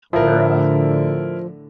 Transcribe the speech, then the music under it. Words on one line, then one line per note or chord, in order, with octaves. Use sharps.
where, uh
A2 D3 F3 E4 A#4